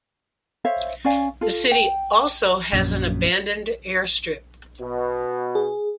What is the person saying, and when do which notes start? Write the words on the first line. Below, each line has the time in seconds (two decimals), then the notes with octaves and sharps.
The city also has an abandoned airstrip.
0.65 C5 C#5 E5 F5
1.04 C#4 D5 F5 G#5
1.41 F4 A4
1.71 G5
2.73 A#1 F#2
4.81 B2
5.55 G#4